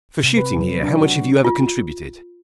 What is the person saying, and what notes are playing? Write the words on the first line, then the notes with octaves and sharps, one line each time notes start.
"For shooting here, how much have you ever contributed?"
C3
B4
F#3
D4
F#4
F4